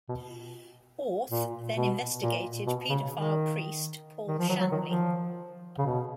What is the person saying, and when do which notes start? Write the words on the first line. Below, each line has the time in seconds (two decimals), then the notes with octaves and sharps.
Orth then investigated pedophile priest Paul Shanley.
0.09 B2
1.30 A#2
1.76 B2
2.21 A#2
2.67 B2
2.90 C#3
3.13 D#3
4.28 D#3
4.38 F3
4.49 F#3
4.61 F#3
4.72 D#3
4.84 F3
5.78 C#3
5.86 B2